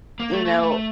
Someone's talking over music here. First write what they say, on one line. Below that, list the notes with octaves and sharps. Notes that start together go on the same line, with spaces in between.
you know
A#3
A3
A3
A#3
A3